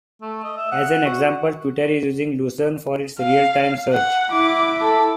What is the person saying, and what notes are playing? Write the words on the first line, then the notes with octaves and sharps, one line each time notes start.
As an example, Twitter is using Lucene for its real time search.
A3
D#5
E5
F#5
F#4
F5
F#5
E4 D6
A4